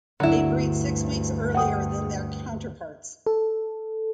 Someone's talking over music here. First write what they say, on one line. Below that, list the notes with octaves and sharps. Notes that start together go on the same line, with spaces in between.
They breed six weeks earlier than their counterparts.
D2 G2 D3 F#3 E4
F#5 G5 D#6
A4